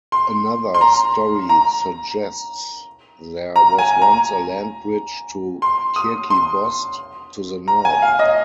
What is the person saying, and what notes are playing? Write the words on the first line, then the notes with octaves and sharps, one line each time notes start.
Another story suggests there was once a land bridge to Kirkibost, to the north.
C6
C6
A#5
A#5
A#5
G#5
A#5
C6
D#6
C6
A#5
G#5
F5
D#5